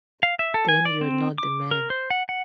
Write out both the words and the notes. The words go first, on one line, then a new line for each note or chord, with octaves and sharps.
Then you're not the man.
F5
E5
A4
G#5
D5
C4
D6
A#4
C5
F#5
F#5